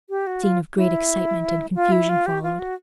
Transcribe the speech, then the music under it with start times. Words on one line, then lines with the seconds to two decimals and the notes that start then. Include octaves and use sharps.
A scene of great excitement and confusion followed.
0.10 G4
0.27 F#4
0.43 F4
0.76 E4
1.75 F4
1.92 E4
2.09 F4
2.26 G4
2.43 F4
2.59 F#4